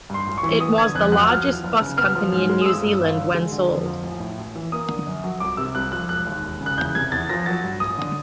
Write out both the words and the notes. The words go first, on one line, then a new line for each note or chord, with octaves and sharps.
It was the largest bus company in New Zealand when sold.
G2 C6
A1
C#6
E3
B3 D#6
D3 G#6
F2 F#6
F#3 F#6
F3 F6
E2
F#1
C#3
B3 F6
F3
G#2
G#3
D#6
G1 E6
G2
G1
D3
G#3
D3
F2
F3
A1
A2
A1
E3
A#3 D#6
D3
F#2
F#3
C2 D6
C3 E6
C2 F#6
F3 F#6
E1 F#6
D#2
E1
C#3
F#6
E2 G6
C3 G#6
E2 A6
F3 A#6
F#3 A6
G2
A1 D#6
D3